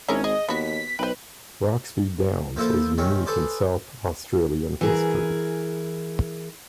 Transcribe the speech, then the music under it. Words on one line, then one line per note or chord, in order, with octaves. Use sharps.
Roxby Downs is unique in South Australian history.
G#1 C#4 E4 G#4 A#4
G#4 D#5
D#2 B3 F#4 B6
B1 B4 C5 G5
F3 A#3 E4 A4 C5 E5
C3 D#3 C4 C#4
G#4 A4 B4 C5 D5
E3 G#4 A#4